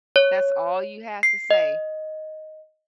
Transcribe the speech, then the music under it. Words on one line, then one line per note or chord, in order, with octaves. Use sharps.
That's all you have to say.
C#5
C7
D#5